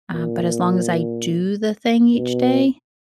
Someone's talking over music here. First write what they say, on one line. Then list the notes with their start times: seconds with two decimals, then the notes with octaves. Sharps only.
Uh, but as long as I do the thing each day,
0.14 A#2
2.15 B2